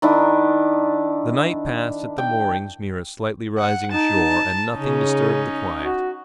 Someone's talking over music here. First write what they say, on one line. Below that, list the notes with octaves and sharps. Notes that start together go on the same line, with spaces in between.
The night passed at the moorings near a slightly rising shore, and nothing disturbed the quiet.
D#3 D4 E4
G5
F#5
D#4 A5
C#3 C#4 D#4
F#4